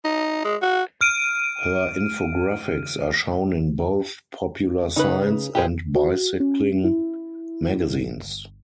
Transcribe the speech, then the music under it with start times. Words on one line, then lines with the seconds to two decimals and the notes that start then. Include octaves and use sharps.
Her infographics are shown in both Popular Science and Bicycling magazines.
0.05 D#4
0.45 G#3
0.62 F#4
1.01 F6 D7 D#7
4.96 C#3 D#4 B4
5.55 A#2 G4 G#4 C5
5.95 F#4
6.40 C#4
6.84 E4
7.89 G1